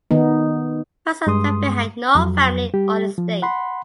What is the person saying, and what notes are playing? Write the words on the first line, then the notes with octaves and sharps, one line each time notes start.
Franson left behind no family or estate.
D#3 B3 D#4
G2 G#3 C6 D#6
F2 F#3
G3 G4
F3
F#5 B5 C6